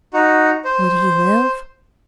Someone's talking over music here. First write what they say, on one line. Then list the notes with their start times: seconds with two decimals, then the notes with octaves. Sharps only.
Would he live?
0.14 D#4 F#4
0.65 C5